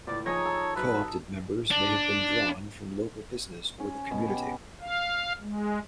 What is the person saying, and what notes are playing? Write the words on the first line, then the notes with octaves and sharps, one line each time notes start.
'Co-opted' members may have been drawn from local business or the community.
C#2 A2 D5
F3 D#4 G#4 C#5 G#5 A#6
A4
F#2 A4 B4
D4
C#4
B2
G4
F5
G#3